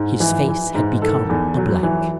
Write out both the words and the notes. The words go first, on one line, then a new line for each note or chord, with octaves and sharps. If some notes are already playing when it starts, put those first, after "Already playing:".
His face had become a blank.
Already playing: G#2
E3
E3
G#2
D#3 A4
E2
F#3
E3